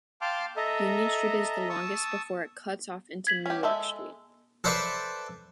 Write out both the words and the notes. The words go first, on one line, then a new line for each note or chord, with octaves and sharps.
Union Street is the longest before it cuts off into Newark Street.
F5 G5 A5 C6 D6 F6
A4 D#5 E5 A#5
A5 C#6 D#6 E6
G#6 B6 F#7
C#4 G4
G#3 A4 E5
A4 B4 C5 D5 E5